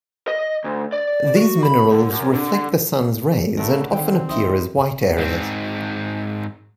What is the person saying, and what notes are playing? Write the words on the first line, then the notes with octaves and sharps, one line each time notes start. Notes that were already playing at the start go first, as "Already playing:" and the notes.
These minerals reflect the Sun's rays and often appear as white areas.
D#5
D2
D5
F#4
B5
D3
F#2
D3
D3 A3 A#4 B5
D#3 C4 G5
D#4 E4 C5 D#5
G#2 C4